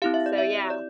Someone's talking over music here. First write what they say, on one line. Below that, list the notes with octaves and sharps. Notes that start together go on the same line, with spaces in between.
So, yeah.
C4 E4 G4 F5
E5
D5
E5
D5